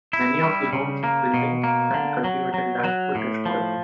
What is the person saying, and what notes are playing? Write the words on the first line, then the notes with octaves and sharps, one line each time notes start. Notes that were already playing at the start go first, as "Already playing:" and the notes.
Many of the homes, buildings and cultivatable lands were destroyed.
E4
G3
C#3
A#3
B2
A#3
D3
F#3
F#3
F#3
A2
F3